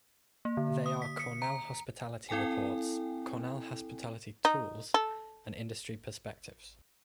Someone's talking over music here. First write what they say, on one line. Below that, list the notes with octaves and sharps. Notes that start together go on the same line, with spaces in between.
They are Cornell Hospitality Reports, Cornell Hospitality Tools, and Industry Perspectives.
A#3
D3
D#6
B6
C#7
A#5
C4 E4 A4 G5 G#5
D#4
A4